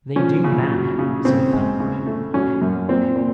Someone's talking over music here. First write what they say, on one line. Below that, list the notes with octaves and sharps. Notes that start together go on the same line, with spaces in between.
"They do now," said Thackeray, quietly.
F3 C#4
C#3
F#3
C#3
C#3 C4
G#3
C#3
A3
F#3 C#4
F#2
A#2 C4
A#2